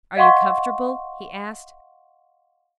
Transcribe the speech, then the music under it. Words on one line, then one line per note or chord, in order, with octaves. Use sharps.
"Are you comfortable?" he asked.
D#5 F5 F#5 C6 C#6